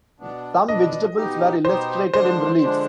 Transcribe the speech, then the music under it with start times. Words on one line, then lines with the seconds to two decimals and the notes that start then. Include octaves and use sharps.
Some vegetables were illustrated in reliefs.
0.20 B2 B3 D4
0.68 B2 B3 D4 D#5
1.16 B2 B3 D#4 G4
1.65 B2 B3 D#4 G4 C5
2.13 D3 F3 G#3 D4 C5
2.62 D3 F3 G#3 D4